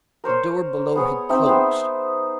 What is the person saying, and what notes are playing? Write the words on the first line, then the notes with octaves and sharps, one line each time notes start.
The door below had closed.
A#4 C5 C#5
B3 G#4 C#5
C4 D#4 E5 G5
B3 G#4 C5